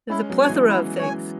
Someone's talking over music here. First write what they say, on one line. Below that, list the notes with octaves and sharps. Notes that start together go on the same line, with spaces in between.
There's a plethora of things.
G#3 C#4 E4
F#3 B3
C#5 G#5
E3 G#3
E4
C#5 G#5